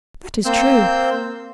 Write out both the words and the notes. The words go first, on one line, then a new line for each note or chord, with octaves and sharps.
"That is true."
A#3 C4 C5 E6 G6